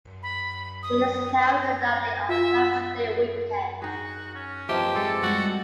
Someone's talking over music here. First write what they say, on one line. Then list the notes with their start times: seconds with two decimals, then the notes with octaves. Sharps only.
It is held annually on Labor Day weekend.
0.23 B5
0.83 D#6
1.61 A#6
2.29 F4 E5
3.82 D#4 F#4 G#4
4.35 C#4
4.69 F3 A#3 C4 G4 B4 D#5 E5
4.95 G#3 A4 D5
5.22 G3 G#3 F#4 G5